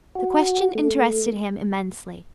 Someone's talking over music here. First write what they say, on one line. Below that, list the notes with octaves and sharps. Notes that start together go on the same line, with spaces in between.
The question interested him immensely.
F#4
A3